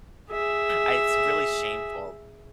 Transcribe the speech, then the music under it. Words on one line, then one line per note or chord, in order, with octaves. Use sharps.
I it's really shameful
G#4 E5